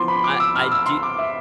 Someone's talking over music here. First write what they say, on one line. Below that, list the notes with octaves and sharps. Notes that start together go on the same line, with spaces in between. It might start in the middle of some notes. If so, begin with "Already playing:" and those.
I I do
Already playing: F3 B3 E4 C6 D6
B5
D6
E6
F6
E6
C6
D6
E5